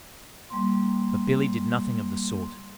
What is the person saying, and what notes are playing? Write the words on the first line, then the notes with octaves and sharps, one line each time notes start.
But "Billy" did nothing of the sort.
G3 A#3 C6